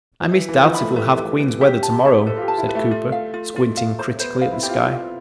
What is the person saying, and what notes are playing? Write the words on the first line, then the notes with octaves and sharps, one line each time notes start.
"I misdoubt if we'll have Queen's weather tomorrow," said Cooper, squinting critically at the sky.
F3
E3 E5
E3
B4
F3
B5
A3
A4
G4 B4
B4
B4
G4 E5
A5
E5
A4 B4
F4
G4
A5
E4
B4
A3
F4
F5
F4
F4
F5
C5
B3 C5
C4
F5
E4
G4
F4
F4 C5